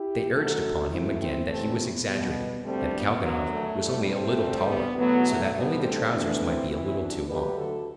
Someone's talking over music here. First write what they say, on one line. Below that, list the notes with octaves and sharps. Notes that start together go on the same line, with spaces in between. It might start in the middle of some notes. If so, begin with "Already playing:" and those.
They urged upon him again that he was exaggerating, that Kalganov was only a little taller, so that only the trousers might be a little too long.
Already playing: E4 G4
F#2 D3 F#3 A3 F#4 A4
F#2 E3 A3 C4 E4
C4 E4
E2 C3 E3 A3 C4
B3
B2 G3
D2 D3 G3 A3 C4
B3
F#2 D3 F#3
A3
A2 G3
A3 C4
D2 C3 G3
B3
E2 B2 F#3 A3 B3
A3
D2 D3 G3 B3
A3 C4
D2 C3 E3 A3 B3 D4
C4 E4
E2 C3 E3 C4 E4
D4 F#4
D2 D3 F#3 A3 G4 B4
F#4 A4